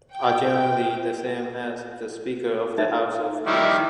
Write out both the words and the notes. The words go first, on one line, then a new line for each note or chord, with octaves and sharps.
Are generally the same as the Speaker of the House of Keys.
G5
D#4 E5
D#3 G3 E4